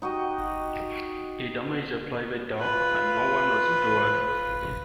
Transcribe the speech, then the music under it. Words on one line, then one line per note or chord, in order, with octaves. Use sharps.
It damaged a private dock, and no one was injured.
D#4 F#4 G4 D#5
F4 B4